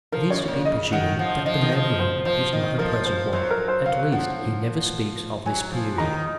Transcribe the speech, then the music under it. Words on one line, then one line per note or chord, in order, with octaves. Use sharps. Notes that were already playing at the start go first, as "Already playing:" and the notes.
It is to be presumed that the memory is not a pleasant one: at least he never speaks of this period.
F3 A#4
F#2 C#5
A#2
C#3 D#5
D#3 F#5
F3 F#5
F3 D#5
D#3
F3
C5
F3 C5
D#3
F3 A#4
C5
F#3 C5
A#4
C5
F#3 F5
F3 F#5
F#3 G#5
F3
D#3 A#5